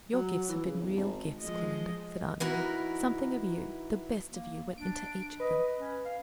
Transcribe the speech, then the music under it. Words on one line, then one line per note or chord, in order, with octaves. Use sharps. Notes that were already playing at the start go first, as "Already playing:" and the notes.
"Your gifts have been real gifts, Clorinda," said Aunt Emmy. "Something of you--the best of you--went into each of them."
F#3
E3
C#3
E1
G#1
F3 G#3 D#5
E3 D#4 E4 F#4 A#4
A#3
D4 D7
B4 D#5
C#4
F5